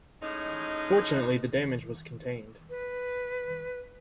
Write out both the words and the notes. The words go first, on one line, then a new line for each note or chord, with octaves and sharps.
Fortunately the damage was contained.
A2 G#3 C#4 D#4
B4